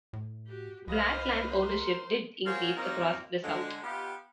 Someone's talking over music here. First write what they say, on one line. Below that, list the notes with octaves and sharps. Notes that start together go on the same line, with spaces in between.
Black land ownership did increase across the South.
A2
F#4 G4
C2 B4 C5 D#5 F5
A#4 C6
C5
F4 G#4 A#4 C5 C#5 F#5
D#3 F#3 A#3 C4 D#4
D3 G#3
B3 D#4 F4 G4